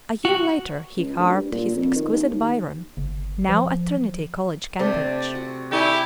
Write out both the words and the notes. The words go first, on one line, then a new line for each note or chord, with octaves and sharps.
A year later, he carved his exquisite Byron, now at Trinity College, Cambridge.
F#4
C#2
D2
G2
A#2
F2
D#3
D#2
D#2
G1
F3
C3 A3 D4 G4 D5
F#4
D4 E4 G4 A4 D5 G#5 C#6